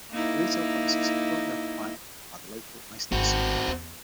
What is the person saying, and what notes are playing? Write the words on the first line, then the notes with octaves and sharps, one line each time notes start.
The retail premises are currently occupied by the local Iceland supermarket.
A#3 D#4 E4
G#1 C4 F#4
E2